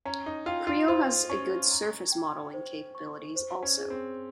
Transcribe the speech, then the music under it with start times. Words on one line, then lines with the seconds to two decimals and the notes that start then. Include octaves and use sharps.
Creo has a good surface modeling capabilities also.
0.05 C#4 A#5
0.26 D#4
0.46 F4 G5
0.67 F4
0.88 F4 C5
1.29 C#4 C#6
1.71 A#5
2.12 G5
2.54 C5
2.95 C#6
3.36 C5
3.63 C#4
3.77 G#4
3.90 C4